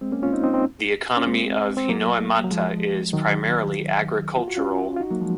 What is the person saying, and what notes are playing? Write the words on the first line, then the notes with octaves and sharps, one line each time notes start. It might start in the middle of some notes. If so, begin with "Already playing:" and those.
The economy of Hinoemata is primarily agricultural.
G#3 C4
A#3 C#4
C#4 F4
C4 D#4
C4 D#4
C4 D#4
C#4
G#3 C4
C4
F#3 A#3
F#3
F3 G#3
D#3 F#3
F4
F#4
C#4 F4
F4
D#4 F#4
F#3 A#3
F3 G#3